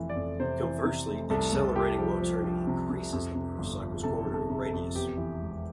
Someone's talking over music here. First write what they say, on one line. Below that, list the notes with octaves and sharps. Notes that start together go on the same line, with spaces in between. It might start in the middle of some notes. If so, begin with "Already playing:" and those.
Conversely, accelerating while turning increases the motorcycles cornering radius.
Already playing: F1 F2 E3
D5
F2
C3 C5
E3
C3
F1
C2 A4
C2
C2 G4
F3
F3
F3
C3
C3
F2
C3
G1
F3
C3 A4
G1
A4
C3
A4
F2
E2 G4
E3
E1